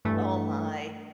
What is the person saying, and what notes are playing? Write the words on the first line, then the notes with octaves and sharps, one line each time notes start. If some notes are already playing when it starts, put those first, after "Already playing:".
Oh my.
G2 E3 A3